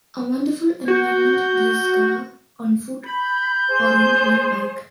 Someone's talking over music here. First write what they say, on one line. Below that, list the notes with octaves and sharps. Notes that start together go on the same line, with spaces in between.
A wonderful environment to discover on foot or on one bike.
F#4 G6
B5 G6
G#4 C5